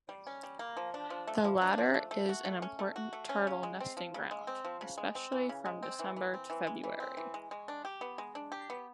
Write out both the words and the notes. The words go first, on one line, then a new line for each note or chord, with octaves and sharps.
The latter is an important turtle nesting ground, especially from December to February.
G3
C#4
G3
A#3
F3
D4
F3
A3
F3
D4
F3
A3
A3
F#4
A3
C#4
A3
F#4
A3
C#4
C#3
G#3
C4
F3
C#3
G#3
C4
F3
C#3
G#3
C4
E3
C#3
G#3
C4
E3
E3
C4
E3
G#3
E3
C4
E3
G#3
G#3
D4
G4
B3
G#3
D4
G4
B3